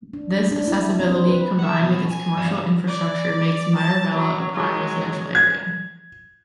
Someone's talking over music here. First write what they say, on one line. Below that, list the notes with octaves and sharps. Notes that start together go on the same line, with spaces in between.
This accessibility combined with its commercial infrastructure makes Marabella a prime residential area.
D4
D4
E4
C4
C5
B4
E5 F#5
B2
G#5
G2 D3
D5
A5
F#3
F#3 G#3
G#6